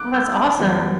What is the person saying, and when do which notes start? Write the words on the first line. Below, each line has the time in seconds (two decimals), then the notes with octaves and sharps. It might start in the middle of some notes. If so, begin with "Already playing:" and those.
Well, that's awesome.
Already playing: D6 F#6
0.14 E6 G6
0.59 F#2 E3 G3 B3